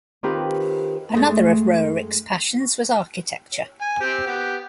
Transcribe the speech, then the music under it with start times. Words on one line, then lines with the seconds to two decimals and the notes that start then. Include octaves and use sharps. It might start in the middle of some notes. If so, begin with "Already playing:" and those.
Another of Roerich's passions was architecture.
0.23 D#3 C4 F4 G4 A#4 B4
1.12 F#2 G#3 A3
3.82 G#5
4.00 C4 G4
4.27 B3 G4